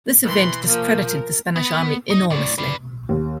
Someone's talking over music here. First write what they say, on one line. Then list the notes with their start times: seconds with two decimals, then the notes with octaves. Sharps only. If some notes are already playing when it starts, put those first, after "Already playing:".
This event discredited the Spanish army enormously.
0.24 E3 C6
0.67 F3 A#3
1.08 A#4
1.56 B3
2.11 D#4
2.30 A2 D5
2.58 B4 D5
3.09 D#2